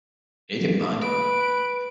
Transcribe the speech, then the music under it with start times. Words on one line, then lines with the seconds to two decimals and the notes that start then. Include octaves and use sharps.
He didn't mind.
1.02 B4 D7